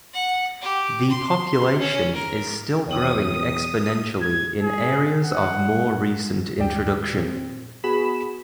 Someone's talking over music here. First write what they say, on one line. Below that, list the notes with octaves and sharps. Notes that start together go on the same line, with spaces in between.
The population is still growing exponentially in areas of more recent introduction.
F#5
G4
C6
C#4
A#4
E2 C#5 G5 D#6 F#7
G#6
G#4
F#5
D#2 D5 G5
A#2 C4
B3 F#4 G#4 B5 B6 E7